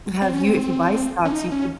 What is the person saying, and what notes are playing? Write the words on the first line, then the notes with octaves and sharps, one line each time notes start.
Have you if you buy stocks, you should
C4
C#4
C4
C#4
D#4
C#4